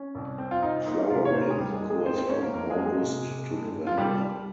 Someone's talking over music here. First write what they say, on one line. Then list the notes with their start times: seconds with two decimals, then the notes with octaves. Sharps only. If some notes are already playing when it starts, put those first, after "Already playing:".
Flowering occurs from August to November.
Already playing: C#4
0.15 C2
0.38 C4
0.51 F4
0.62 C2 D#4
0.86 A#3 D#4
1.10 C3 F4
1.25 C#5
1.34 C3 C5
1.41 A#4
1.50 G#4
1.58 D#2 G3 G4
1.74 G#3 G#4
1.82 D#2
1.90 G#3 G#4
2.06 G#2 C4 C5
2.18 C4 C5
2.30 G#2 C#4 C#5
2.42 A#3 A#4
2.54 F2 A#3 A#4
2.70 G#3 G#4
2.78 A#3
2.86 G#3 G#4
3.02 C3
3.25 C3
3.49 G2
3.73 G2
3.87 F4
3.97 C2 G3 G4
4.22 G3